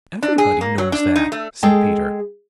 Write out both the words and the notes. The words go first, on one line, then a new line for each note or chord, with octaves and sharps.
"Everybody knows that!" said Peter.
D4
G#4
A#3
F#3
D4
D#4
A3
G#3 G#4 A4 G5